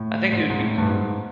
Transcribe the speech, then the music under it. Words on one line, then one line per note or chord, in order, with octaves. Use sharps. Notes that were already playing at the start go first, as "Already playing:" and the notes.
I think it would be cool.
Already playing: A2
G#2
G#2
A2
G2
G#2